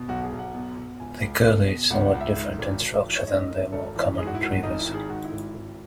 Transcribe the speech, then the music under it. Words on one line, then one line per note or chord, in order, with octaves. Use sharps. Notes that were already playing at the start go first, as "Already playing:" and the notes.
The Curly is somewhat different in structure than the more common retrievers.
Already playing: B2
B1 F#4
G#4
B1
F#5
B2
B2
C#2 G#5
C#2
B2
B2
C#2 F#5
F#5
C#2
E5
G#2
G#1
G#1
E3
C#5
G#2 D#5
D#5
G#1
E5
G#1 A4
E3
G#2 G#4
F#4
E4
G#1 F#4
G#1 D#4
E4
D#3
G#4
G#2 F#4
E4
G#1
E4
G#1 E4